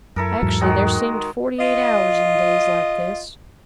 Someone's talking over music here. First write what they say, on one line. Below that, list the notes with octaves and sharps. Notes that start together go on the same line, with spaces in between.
Actually there seemed forty-eight hours in days like this.
F#2 E4 A4 A#4
E2 G#2 F#3
D#3 G#3 F#4
F4 D#5